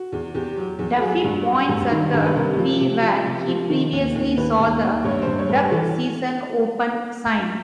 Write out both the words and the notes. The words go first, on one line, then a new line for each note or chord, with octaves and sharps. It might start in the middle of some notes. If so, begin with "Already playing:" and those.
Daffy points at the tree where he previously saw the "Duck Season Open" sign.
Already playing: F#4
E2
E2 G4
F#3
E2
A4
F#3 G#4
G2
F#3
G2
D#3
G2
B4
C3 A#4
F3
C3
F3
C3
F3
D#3
D#2
D#2
D#2 B4
D#2
D#2
G2 C#5
C5
G2
C#5
G2
B4
E3 A4